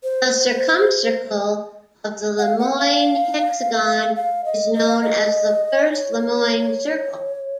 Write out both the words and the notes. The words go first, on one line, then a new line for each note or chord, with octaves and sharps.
The circumcircle of the Lemoine hexagon is known as the first Lemoine circle.
C5
F#5
F5
F#5
F5
F5
D#5
D#5
F5
D#5
C#5